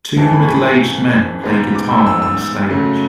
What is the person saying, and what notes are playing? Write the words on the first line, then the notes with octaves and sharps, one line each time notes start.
Two middleaged men play guitar on a stage.
G#1 F#2 E3 G#3 A5
B5
C#6
B5
A1 G#2 G#3 B3
D6
E6
E6
E6
E6
F#2 C#3 F#3 A3